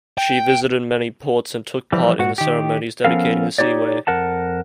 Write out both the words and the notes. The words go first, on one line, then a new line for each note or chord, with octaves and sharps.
She visited many ports and took part in the ceremonies dedicating the Seaway.
G5
E3 F3 G3
G#2 F#4 F#5
D#3 G4
F3 B3 C#4 A4 A#4 F5
D#4 E4 G4 C#5 D5
F2 A#4 F#5 A5